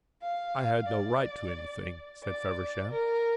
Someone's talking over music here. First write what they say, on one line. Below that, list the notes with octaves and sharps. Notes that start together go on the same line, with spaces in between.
"I had no right to anything," said Feversham.
F5
D5
D5
A#4